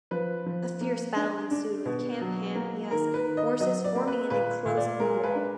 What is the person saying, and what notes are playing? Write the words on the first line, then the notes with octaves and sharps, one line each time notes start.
A fierce battle ensued, with Kamehameha's forces forming an enclosing wall.
F3 B4
F3
A#3
D4
D4
B2
F#3
A#3
D#3 A#4
B4
D#3
D#5
F#3 D#5
D5
A#3
B4
A#2 B4
A#2
D5
G#3 A#4
B4
D4